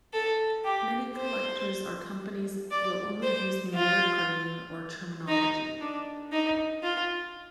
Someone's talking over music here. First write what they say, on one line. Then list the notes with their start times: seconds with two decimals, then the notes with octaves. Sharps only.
Many collectors and companies will use only numeric grading or terminology.
0.13 A4
0.65 G4
1.16 C5
2.71 D5
3.23 C5
3.74 F4
5.29 D#4
5.81 D4
6.32 D#4
6.83 F4